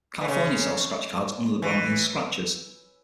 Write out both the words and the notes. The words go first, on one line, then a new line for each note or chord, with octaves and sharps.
California sells scratch cards under the branding "Scratchers".
E3
C#3
E3